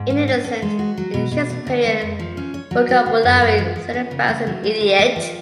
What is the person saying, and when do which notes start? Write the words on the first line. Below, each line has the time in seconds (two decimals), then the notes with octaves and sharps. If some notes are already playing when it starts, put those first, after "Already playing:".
An innocent, in Shakespearean vocabulary, signifies an idiot.
Already playing: G#2
0.10 C#4
0.28 C#4
0.44 A4
0.62 G#3
0.79 F#4
0.98 F#3
1.14 B2
1.31 B2
1.50 A3
1.67 D3
1.85 G#3
2.02 F2
2.20 F3
2.37 C#4
2.54 C#5
2.71 F#3
2.89 F#4
3.06 D3
3.23 F#2
3.41 F#2
3.58 F3
3.76 F3
3.94 C#4
4.11 C#3
4.28 A3
4.47 F#3
4.63 F4
4.81 D3
4.99 A3
5.16 F3